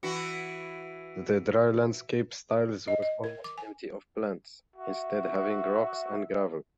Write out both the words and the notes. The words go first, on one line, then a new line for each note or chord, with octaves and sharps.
The "dry landscape" styles was almost empty of plants, instead having rocks and gravel.
E3 E4 F#4
D#5
D#5
A#4
D6
G#5
F#4 E5